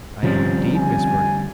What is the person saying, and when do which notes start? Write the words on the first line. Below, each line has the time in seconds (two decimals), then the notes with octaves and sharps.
"I am, indeed, Miss Vernon."
0.23 D2 C3 F3 G3 C#4
0.77 G#5